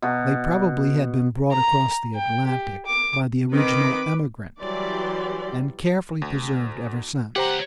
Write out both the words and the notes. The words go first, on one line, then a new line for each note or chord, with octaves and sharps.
They probably had been brought across the Atlantic by the original emigrant, and carefully preserved ever since.
B2
A#5
G5
G4
D6
D#3 C4 B4 D6
E3 F#3 G3 G4 D5 C6
D2
C#2 G4 C5 F#5 A#5